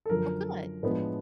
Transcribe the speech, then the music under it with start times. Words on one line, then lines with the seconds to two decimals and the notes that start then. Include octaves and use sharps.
Oh, good.
0.06 A4
0.10 F#2 D3 F3 A#4
0.83 A2 F3 G#3 B3 D4 B4